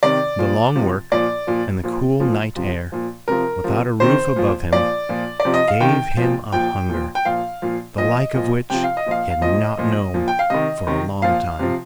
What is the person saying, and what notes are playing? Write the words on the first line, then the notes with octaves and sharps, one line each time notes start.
The long work and the cool night air, without a roof above him, gave him a hunger, the like of which he had not known for a long time.
C3 D#3 D5
A#2 F3
C3 F3
A#2 F3 D5
A#2 F3
A#2 F3
A#2 F3
C3 F3
A#2 F3
C3 F3 A#4
C3 F3
C3 D#3 C5
A#2 F3
A#2 F3 D5
A#2 F3
D5
C3 F3
D#5
F5
C3 D#3 G5
A#2 F3
A#2 F3 G5
A#2 F3
G5
A#2 F3 F5
A#2 F3
A#2 F3 D#5
A#2 F3
C3 F3 G5
F5
D#5
A#2 F3 F5
F5
A#2 F3 D#5
A#2 F3
A#2 F3
G5
F5
C3 D#3 D#5
C3 D#3
A#2 F3 F5
C3 F3